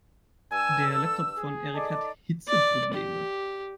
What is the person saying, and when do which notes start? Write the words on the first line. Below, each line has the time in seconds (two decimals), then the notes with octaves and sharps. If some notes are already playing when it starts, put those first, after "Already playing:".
Der Laptop von Erik hat Hitzeprobleme.
0.52 G2 G#5 E6
0.89 A4
1.38 G#4
1.75 D#4 A4 D5
2.48 D5
2.93 G4